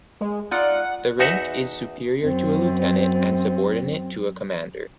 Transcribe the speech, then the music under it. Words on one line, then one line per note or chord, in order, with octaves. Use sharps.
The rank is superior to a lieutenant and subordinate to a commander.
G#3
D#4 F4 D5 F#5
E2 D#4 F#4 E5 F#5
F#2 C4